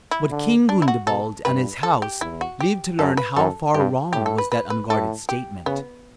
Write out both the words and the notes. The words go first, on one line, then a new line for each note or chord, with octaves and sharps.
But King Gundebald and his house lived to learn how far wrong was that unguarded statement.
E4
D3
D4
E4
F#4
B2 A4
G2 B4
A4
G4
E2 E4
F#4
G4
F#2 A4
B4
F#2 A4
G2 G4
A2 G4
A4
B4
B4
B4
A2 A4
G4
C#3 B3